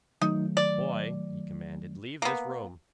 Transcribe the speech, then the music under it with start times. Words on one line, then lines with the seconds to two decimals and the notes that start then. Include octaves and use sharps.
"Boy," he commanded, "leave this room!"
0.21 D#3 F#3 A3 D#4
0.57 D5
2.22 A#3 B3